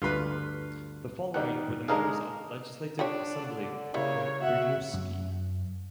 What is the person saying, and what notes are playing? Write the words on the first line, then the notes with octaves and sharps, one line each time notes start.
The following were the members of the Legislative Assembly from Rimouski.
D2 G2 F4 B4
D#3 G3 D#4 F#5
G#3 D4 D#4 G#4 A#4 F5
D4 F4 G4 C#5 D5
D3
C#3 G3 A#3 E4 C#5
F#4 E5 F#5
F#2 F#3